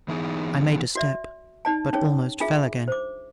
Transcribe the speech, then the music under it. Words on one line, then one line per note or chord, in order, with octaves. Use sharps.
I made a step, but almost fell again.
E3 B3 D#4 G#4
F#4 D5 E5
D#4 D5 A5
C#4 D#4 G#4 C#5
D4 F4 G#4 E5
C5 D6